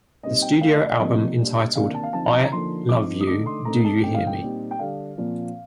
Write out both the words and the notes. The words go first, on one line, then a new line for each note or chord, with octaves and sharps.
The studio album entitled I Love You, Do You Hear Me?
A#2 G3 C4 D#4 D#5
G5
D3 A3 D4 F5
D#5
D5
C3 F3 A#3 D4 D#5
A#2 G3 D4
C3 D#3 A#3 D4 F5
A5
F5
D3 F3 C4 D#4 A5
A5
A#5
A#5
D3 F3 A#3 D#4 C6
F3 C4 D#4 D6
D#6
D3 A3 D#4 D6
C6
A2 A3 C4 D#4 A#5
A5
D3 A3 C4 D#4 G5
F5
G5
A#2 G3 C4 D#4
G5
D3 G3 D4 F5
A#2 F3 C4